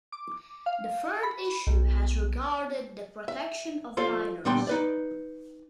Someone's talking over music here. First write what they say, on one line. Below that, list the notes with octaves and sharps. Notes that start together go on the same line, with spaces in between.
The third issue has regarded the protection of minors.
D6
F5
B5
B1
E5
F4 A4 C5 D5 F5
A#2 G3 B3 D4 G5 C6
D#4 B4 D5